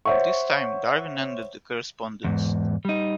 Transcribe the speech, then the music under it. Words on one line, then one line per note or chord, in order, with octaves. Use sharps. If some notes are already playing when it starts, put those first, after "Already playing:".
This time, Darwin ended the correspondence.
C5 C#5 E5 F#5 C#6
E2 G#2
G3 D#4